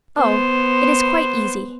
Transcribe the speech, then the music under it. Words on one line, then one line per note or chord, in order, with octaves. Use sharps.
'Oh, it is quite easy.
B3 C5